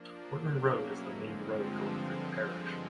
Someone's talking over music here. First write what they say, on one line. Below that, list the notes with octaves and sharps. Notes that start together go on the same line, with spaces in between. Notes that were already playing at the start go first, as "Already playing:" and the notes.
Horton Road is the main road going through the parish.
Already playing: F3 A#3 D4
B2 F#3 A#3 D4 G4
F#3 A#3 C#4 E4
G2 D3 F3 G#3 C4